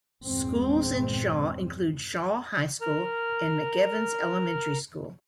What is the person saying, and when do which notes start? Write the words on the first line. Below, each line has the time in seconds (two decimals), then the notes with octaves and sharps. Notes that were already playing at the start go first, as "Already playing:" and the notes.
Schools in Shaw include Shaw High School and McEvans Elementary School.
0.23 G1 E2 A#2 G#3 C4
2.81 A#4 F6